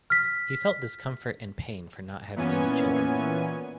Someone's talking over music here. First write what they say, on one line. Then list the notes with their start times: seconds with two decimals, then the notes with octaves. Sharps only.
He felt discomfort and pain for not having any children.
0.10 F6 B6
2.36 A#2 E3 B3 C#4 G#5